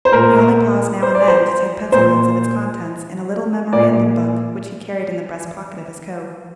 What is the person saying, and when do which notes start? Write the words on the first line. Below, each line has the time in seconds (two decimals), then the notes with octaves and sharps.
He only paused now and then to take pencil-notes of its contents in a little memorandum-book, which he carried in the breast-pocket of his coat.
0.05 C5
0.12 A#2 A#4
1.02 C5
1.15 D5
1.28 C5
1.92 A#2 C5
3.73 A#2 D5